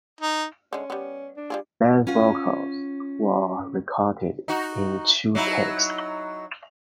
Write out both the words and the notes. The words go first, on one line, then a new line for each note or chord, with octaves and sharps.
Plant's vocals were recorded in two takes.
D#4
D3 G#3 C#4
G3 B3
D4
G3 F4 G#4
C#4 F4 F#5
D#4 F#4
F#3 D#4 E4